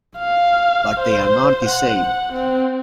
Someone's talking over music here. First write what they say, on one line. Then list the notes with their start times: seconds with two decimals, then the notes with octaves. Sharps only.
But they are not the same.
0.18 F5
1.00 C5
1.65 F#5
2.33 C4